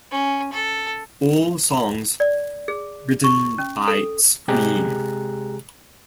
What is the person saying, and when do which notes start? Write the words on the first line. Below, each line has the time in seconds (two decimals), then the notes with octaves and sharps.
All songs written by Scream.
0.11 C#4
0.53 A4
2.20 D5
2.68 G#4
3.24 C#6
3.58 C#4
3.88 A4
4.48 C3 G#3 G4 G#4 A#5 F#6